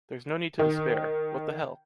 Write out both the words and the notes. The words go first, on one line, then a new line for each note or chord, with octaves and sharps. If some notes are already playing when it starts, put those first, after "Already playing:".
There’s no need to despair; what the hell.
D#3